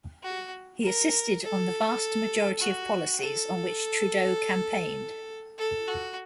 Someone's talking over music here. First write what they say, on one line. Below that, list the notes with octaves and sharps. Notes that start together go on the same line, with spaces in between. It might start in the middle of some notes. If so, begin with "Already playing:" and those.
He assisted on the vast majority of policies on which Trudeau campaigned.
F#4
A#4
A4
F#4
A4
A4
F#4